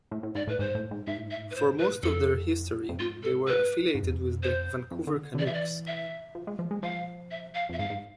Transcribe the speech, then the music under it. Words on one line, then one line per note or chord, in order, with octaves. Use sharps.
For most of their history, they were affiliated with the Vancouver Canucks.
A2
A2
G#2 D5
A2 B4
G#2 C5
A2
G#2
G#2 E5
A2
G#2 E5
A2
G#2 B4
A2 C5
G#2
B4
F2 A4
F2
G#2 F4
A4
B4
G#2
F2
E2
F2
C5
F2
D3
D3
E3 D5
E5
D5
E5
F3
G#3
F3
G#3
F3 F5
E5
F5
F2 E5
G#2 F5
G#2